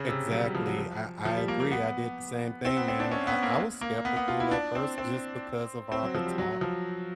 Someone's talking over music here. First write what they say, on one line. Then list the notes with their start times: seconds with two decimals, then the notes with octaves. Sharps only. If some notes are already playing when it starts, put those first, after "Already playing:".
Exactly, I I agree, I did the same thing, man, I I was skeptical at first just because of all the talk
Already playing: C#3
0.08 C3
0.32 F#3
0.44 G3
0.55 F3
0.67 F#3
0.78 F3
1.25 F3
1.36 G3
1.48 A#3
1.60 A#3
1.71 B3
2.65 C4
2.77 B3
2.88 C4
3.00 D4
3.12 C#4
3.27 B3
3.43 A#3
3.81 A#3
4.05 B3
4.16 B3
4.28 F4
4.40 E4
4.51 D4
4.75 C4
4.98 C4
5.92 C4
6.03 F#3
6.15 F3
6.26 G3
6.38 F#3
6.61 F3